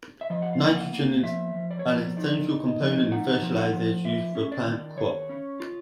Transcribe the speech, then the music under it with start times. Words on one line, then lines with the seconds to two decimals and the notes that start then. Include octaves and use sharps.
Nitrogen is an essential component in fertilizers used for plant crops.
0.21 E5
0.30 F3 D#5
0.42 F#5
0.53 F5
0.61 A#3
0.77 F#5
0.92 A#3
1.23 F3 E5
1.55 F3
1.71 D5
1.79 C#5
1.86 F3 D5
2.17 D#4 D5
2.48 D#4
2.65 D#5
2.80 F3
3.11 D#4 F#5
3.42 F3
3.57 F#5
3.73 F3
4.05 F4 E5
4.35 C#4
4.52 D5
4.66 D#3
4.98 D#3 C#5
5.29 C#4
5.60 F4